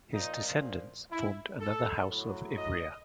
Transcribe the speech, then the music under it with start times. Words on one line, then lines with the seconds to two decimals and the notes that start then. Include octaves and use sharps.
His descendants formed another House of Ivrea.
0.14 A#2 F3 D#4
1.11 E4
1.60 A4
2.08 A2 F#3
2.57 D#5